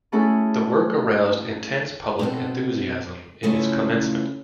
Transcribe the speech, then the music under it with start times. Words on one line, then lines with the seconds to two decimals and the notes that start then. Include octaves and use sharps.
The work aroused intense public enthusiasm in its commencement.
0.12 A3 C#4 E4 F#4 G#4 A4
2.19 B2 C4 A4
3.43 C#3 A3 C#4 E4 F4